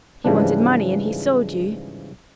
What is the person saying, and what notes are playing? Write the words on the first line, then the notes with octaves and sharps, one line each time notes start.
He wanted money, and he sold you.
G#2 C#3 E3 F3 G3 D4